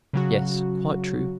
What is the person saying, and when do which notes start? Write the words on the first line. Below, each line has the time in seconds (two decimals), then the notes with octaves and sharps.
"Yes, quite true."
0.13 C#3 F#3 F#4